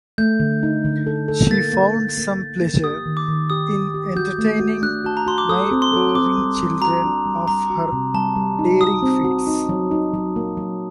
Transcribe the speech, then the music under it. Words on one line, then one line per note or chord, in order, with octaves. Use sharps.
She found some pleasure in entertaining neighboring children of her daring feats.
A3 G6
D3
D#4
D3
A4
A4
A#3 A6
A#3
A#3
A#3
A#3
A#3
G4 D#6
D#3
D6
D#3
G4 D#6
G4
G4
F#4 G6
A3
F#4
D4 F#6
F#4 A5
A#5
F#4 C6
D6
A4 D#6
C4
C6
A4
C4 D6
G3
G3
F#4 A#5
D4
G3
G3 A#5
F#4
C3
G3 A5
G3
D#4
F#4 D#6
C4
F#4
D#4
F#3
D#4
F#3
A#3
F#3